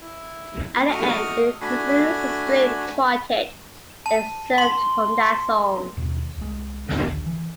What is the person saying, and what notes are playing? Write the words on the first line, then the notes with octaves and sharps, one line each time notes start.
At the end, it includes a string quartet excerpt from that song.
E4
A3 F#4 D#5 C#6 D#6 F6
A3 D4 F#4 G#5 B5
A5
C6
D#2 B2
C2 G#3
D1 A#1 D#2 D3
E3